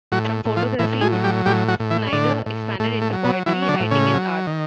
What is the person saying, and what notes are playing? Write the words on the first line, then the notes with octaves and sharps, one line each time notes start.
From photography, Snyder expanded into poetry, writing, and art.
A2 F#3 F#4
A2
F3 F4
A2 E3 E4
G#3 G#4
F#3
G3 G4
A2 G3 G4
F#3 F#4
A2
E3 E4
C#4
A2 D3 D4
A2
A2 A3
A3
F#3
B2 B3
E3 F#3 E4
C#4
D3 D4
A2
C#3 C#4
F#3
D#3